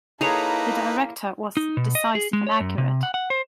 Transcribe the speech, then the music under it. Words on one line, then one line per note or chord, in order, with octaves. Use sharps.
The Director was decisive and accurate.
A#3 D#4 E4 G#4 A4 B4 C#5 A#5
D#4
B2
D#5
G#4
G#3
C#5
F#2
C3
F#5
F#5
C5